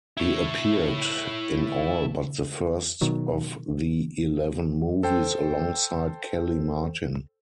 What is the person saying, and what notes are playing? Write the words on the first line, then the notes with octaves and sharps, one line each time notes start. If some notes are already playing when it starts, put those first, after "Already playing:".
He appeared in all but the first of the eleven movies alongside Kellie Martin.
E4 C#5
B2 D#3 F#3
A4 C5 G5